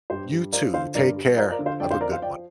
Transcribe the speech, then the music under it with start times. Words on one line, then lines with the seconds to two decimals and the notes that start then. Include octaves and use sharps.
You too, take care, have a good one.
0.10 G2 G4 C5
0.32 G3
0.53 F3 A#4 D5
0.74 D3 C5 F5
0.95 G2 A#4 D5
1.16 G3
1.37 F3 A#4 D5
1.51 A#4 D5
1.59 D3
1.66 C5 F5
1.80 F2 D5 G5
1.91 C5 F5
2.01 F3 A#4 D5
2.12 C5 F5
2.22 F3 D5 G5